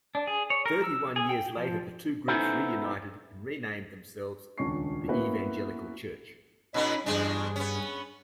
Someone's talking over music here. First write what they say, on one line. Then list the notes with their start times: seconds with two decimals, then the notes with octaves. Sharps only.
Thirty-one years later the two groups reunited and renamed themselves "The Evangelical Church".
0.15 D4
0.27 G#4
0.50 C#5
0.66 A#4
0.84 E6
1.16 G#4
1.29 G5
1.57 F3
2.28 B3 C#4 D#4 E4 A4 C5
4.58 D#1 C#2 C#4 D4 C#6 C7
5.08 A#3 B3 C#4 E4 F#4 B4
6.74 A#2 G#3 B3 C#4 D#4 B5
7.06 E2 G2 G#3 D4 G#4
7.56 B3 C#4